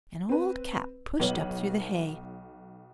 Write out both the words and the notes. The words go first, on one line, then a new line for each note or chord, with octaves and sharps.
An old cap pushed up through the hay.
C4 B4
B1 B3 C#5 F#7